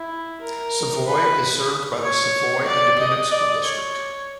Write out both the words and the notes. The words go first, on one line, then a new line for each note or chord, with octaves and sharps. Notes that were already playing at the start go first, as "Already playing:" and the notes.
Savoy is served by the Savoy Independent School District.
Already playing: E4
A#4
B4
C#5
D5
D#5
D5
C#5